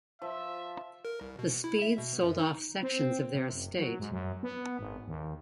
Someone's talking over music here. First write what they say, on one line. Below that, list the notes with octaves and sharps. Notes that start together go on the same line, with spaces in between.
The Speeds sold off sections of their estate.
F3 E5
A#4
C2
B2
E4
E5
B2
F#2
D#4
C4
C3
F#1
F#3
G#2
F#2
B3
G#1
D#2